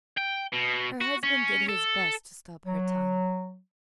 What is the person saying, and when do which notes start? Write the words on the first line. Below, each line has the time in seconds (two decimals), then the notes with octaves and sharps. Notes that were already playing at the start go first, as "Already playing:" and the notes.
Her husband did his best to stop her tongue.
0.17 G5
0.52 B2
1.01 F#4
1.23 C#4
1.69 A4
2.65 F#3